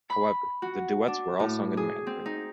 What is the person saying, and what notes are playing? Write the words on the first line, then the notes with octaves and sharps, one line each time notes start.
However, the duets were all sung in Mandarin.
B5
F#4
D4
A2
G#4
C4
D#4